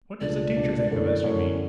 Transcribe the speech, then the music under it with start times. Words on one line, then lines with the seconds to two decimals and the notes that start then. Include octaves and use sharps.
"What does the teacher think of us, you mean?"
0.21 C#2 B2 A3 D4 D5
0.56 C#2 B2 A3 D4
0.90 F#2 D3 A3 C#4 E4
1.24 F#2 D3 A3 C#4 E4